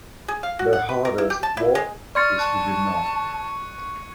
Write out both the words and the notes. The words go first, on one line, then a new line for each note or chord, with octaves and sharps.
The hardest work is to do nothing.
G#4
F5
F#4
F#5
B4
A#4
E4
G4
A5
E4
G#3
D5 C6 C#6 F6 G#6 A6 C#7
A5 F#6